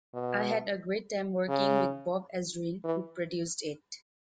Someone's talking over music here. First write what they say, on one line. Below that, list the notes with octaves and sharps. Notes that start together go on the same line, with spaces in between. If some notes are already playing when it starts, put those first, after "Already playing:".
I had a great time working with Bob Ezrin, who produced it.
B2
C#3
E3